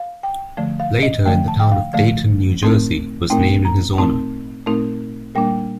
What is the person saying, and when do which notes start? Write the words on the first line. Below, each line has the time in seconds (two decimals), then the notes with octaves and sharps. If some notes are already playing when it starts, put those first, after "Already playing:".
Later, the town of Dayton, New Jersey, was named in his honor.
Already playing: F5
0.23 G5
0.57 D3 F3 A3
0.80 F5
1.03 D#5
1.25 D3 F3 A3 G5
1.48 A5
1.59 G5
1.72 F5
1.93 D3 F3 A3 F5
2.63 A#2 A3 C4 D#4
3.30 A#2 A3 C4 D#4 G5
3.65 A#5
3.98 A#2 A3 C4 D#4 A5
4.66 A#2 A3 C4 D#4
5.35 A#2 G3 A#3 D4 G5